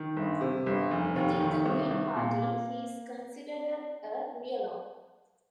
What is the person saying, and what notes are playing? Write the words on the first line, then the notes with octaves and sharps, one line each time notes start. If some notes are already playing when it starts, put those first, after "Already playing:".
Within the Green Party, he is considered a Realo.
Already playing: D#3
G1
C3
G1
F1
D#2
D#3
C2
C2
A#2
A#3